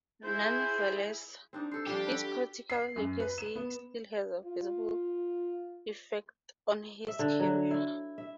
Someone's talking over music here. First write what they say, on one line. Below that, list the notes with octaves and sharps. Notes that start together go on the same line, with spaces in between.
Nonetheless, his political legacy still has a visible effect on his career.
E4 G#4 C5
C4 D4 D#4
A4 C5
F3 G3 D4 G4
F#4 A4 B4
C7
F#2
B4
E7
B3
F4
E5
D3
F#3
E4
E5